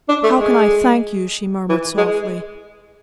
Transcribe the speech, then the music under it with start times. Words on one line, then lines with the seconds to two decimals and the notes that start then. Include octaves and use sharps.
"How can I thank you?" she murmured, softly.
0.08 D4
0.23 A3
0.37 G#3
1.69 E3
1.97 G#3